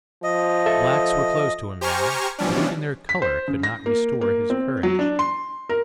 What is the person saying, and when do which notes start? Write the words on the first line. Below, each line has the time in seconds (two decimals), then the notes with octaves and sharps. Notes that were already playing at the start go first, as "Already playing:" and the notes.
The blacks were close to him now, but even their colour could not restore his courage.
0.24 F3 D#5
0.66 A4 E5
1.81 G4 C5 G#5 A#5 C#6 F6
2.38 B2 E3 F3 G3 C#4 D4
3.09 B6
3.22 C5
3.48 C#3
3.63 A#6
3.86 A#3
4.21 A#3
4.50 C4
4.83 F#3
4.99 D4
5.19 C6
5.69 A#4